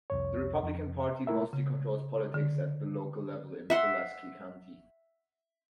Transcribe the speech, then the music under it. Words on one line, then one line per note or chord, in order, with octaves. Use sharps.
The Republican Party mostly controls politics at the local level in Pulaski County.
C2 F2 C#5
F2
A3 E4 A#4 E5
C#3
D3
E5 F#5 C6